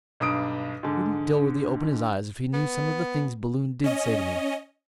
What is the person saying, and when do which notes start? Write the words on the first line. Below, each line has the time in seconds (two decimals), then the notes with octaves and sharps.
Wouldn't Dilworthy open his eyes if he knew some of the things Balloon did say to me.
0.20 B1 G2 D#6 D7
0.83 G#2 D3
2.53 B3
3.84 C#4 D#5